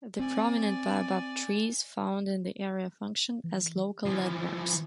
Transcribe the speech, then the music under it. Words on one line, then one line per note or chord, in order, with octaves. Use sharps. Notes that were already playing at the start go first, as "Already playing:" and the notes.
The prominent baobab trees found in the area function as local landmarks.
C4 D5 G#5
E3
E3 F3